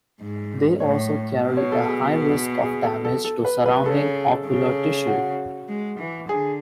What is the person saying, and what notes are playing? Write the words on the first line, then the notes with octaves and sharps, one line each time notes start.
They also carry a high risk of damage to surrounding ocular tissue.
G#2
A2 C#5
B2
C#5
A4
G#4
G#4
A4
A4
A4
B4
B4
C#3 A4
C#3
F#4
G#3
E3
D3 G#4